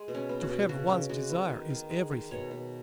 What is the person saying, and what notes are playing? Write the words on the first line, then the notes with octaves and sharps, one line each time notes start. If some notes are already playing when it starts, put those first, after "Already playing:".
To have one's desire is everything.
Already playing: G#3
B2
C#4
B3
F#4
B2
C#3 F#4
C#3
G#3 F#4
B3
D#3
D#3
G#3
D#3
B2 C#5
B2